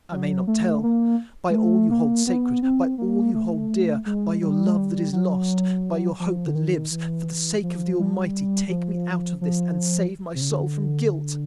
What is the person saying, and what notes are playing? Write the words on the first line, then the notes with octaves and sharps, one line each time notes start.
I may not tell. By all you hold sacred--by all you hold dear--by your love that is lost--by your hope that lives--for the sake of the Almighty, take me out of this and save my soul from guilt!
F#3
A3
A#3
G#3
A3
A#3
B3
C4
A#3
A3
G#3
G3
G#3
G3
F#3
F3
D3
D#3
E3
F3
G3
F3
F3
C3
C#3
D3